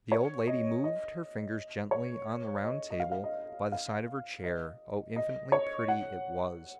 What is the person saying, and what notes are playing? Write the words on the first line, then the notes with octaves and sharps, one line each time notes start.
The old lady moved her fingers gently on the round table by the side of her chair,.. oh, infinitely pretty it was....
C#5
D#5
D#5
C#5
D#5
D#5
F5
F5
D#5
F5
D#5
D#5
C#5
F#5